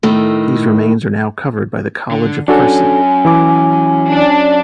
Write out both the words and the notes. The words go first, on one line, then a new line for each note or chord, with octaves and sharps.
These remains are now covered by the College of Fersen.
A2 D#3 A3
D3
F#3 C#4 D4 F#4 A4 G#5
E3 E4 D6
D4